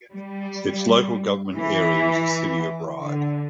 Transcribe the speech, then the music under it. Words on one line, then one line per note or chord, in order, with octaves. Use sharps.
Its local government area is the City of Ryde.
G3
E3
D3